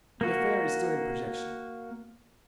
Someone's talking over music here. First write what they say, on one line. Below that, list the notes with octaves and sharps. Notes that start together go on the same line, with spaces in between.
"The affair is still in projection."
A#3 F#4